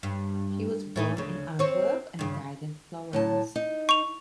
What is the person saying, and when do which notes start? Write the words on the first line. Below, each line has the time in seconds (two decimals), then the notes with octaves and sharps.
He was born in Antwerp and died in Florence.
0.03 G2
0.96 A2 A3 D#4
1.17 D2 C#3
1.59 C4 C#5
2.19 G2 C#3
3.13 A2 F#3 A5
3.56 D#4
3.89 C#6 F7